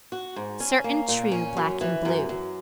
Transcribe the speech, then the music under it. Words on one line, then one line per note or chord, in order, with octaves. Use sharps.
Certain, true, Black and blue.
F#4
G#2
C#4
A#3
A#2
C#4
F#2
E3
F#2
F#2